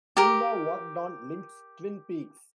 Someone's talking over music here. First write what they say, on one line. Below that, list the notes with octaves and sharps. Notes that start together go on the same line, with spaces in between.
Silva worked on Lynch's "Twin Peaks".
G4 A#4